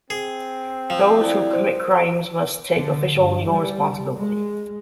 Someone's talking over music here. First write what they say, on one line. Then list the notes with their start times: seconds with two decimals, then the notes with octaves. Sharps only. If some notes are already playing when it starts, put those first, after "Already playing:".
Those who commit crimes must take official, legal responsibility.
0.10 C4 G#4
0.90 F3
1.21 E4 D5
1.53 C5
2.77 D3
3.13 G2
3.48 G3
4.18 G#3